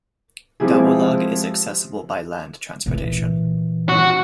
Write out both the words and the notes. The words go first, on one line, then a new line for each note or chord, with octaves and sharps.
Damulog is accessible by land transportation.
F3 G#3 C4 E4 G4 G#4
A#2 E3
F#4